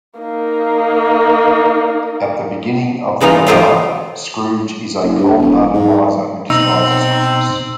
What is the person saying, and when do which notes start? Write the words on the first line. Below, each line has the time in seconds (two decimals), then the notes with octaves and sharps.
At the beginning of the novella, Scrooge is a cold-hearted miser who despises Christmas.
0.20 A#3 D#4
3.21 C#3 E3 A#3 D#4 F4
3.47 F#3 A3 F4 G4 C5 D#5
5.03 F#1
5.18 G2
5.38 E1
5.74 G#2
6.50 B2 C4 D#4 E6